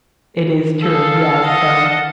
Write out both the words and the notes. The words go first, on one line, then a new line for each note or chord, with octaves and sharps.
It is true. Yes, so
G#4 A4 F5
D#5 F#5 A5